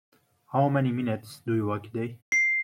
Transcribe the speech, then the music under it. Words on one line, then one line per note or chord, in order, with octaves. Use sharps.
How many minutes do you walk a day?
C7